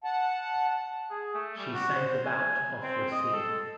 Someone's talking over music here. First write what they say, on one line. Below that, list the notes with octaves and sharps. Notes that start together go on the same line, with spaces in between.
She sank about off Racine.
F#5 A5
G#4
A3
G3
F#4
C5
G#5
C4
D#5
A4